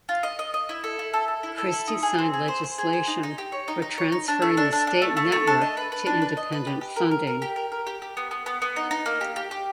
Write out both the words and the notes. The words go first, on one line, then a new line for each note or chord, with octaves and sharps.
Christie signed legislation for transferring the state network to independent funding.
F4
D#5
D#5
D#5
E4
A4
E4
A4
A4
E4
A4
E4
D#4
G#4
C4
G#4
C5
C5
G#4
C5
D#4
D#4
G4
C#5
D#4
D#4
C#5
D#4
D4
A3
D4
D4
D4
A3
A3
A3
D4
D#5
B4
B4
D4
B4
D#5
B4
G4
G4
A#4
A#4
A#4
G4
A#4
A#4
G4
G4
B3
B3
B3
B3
D#4
D#4
A#3
G4
G4
G4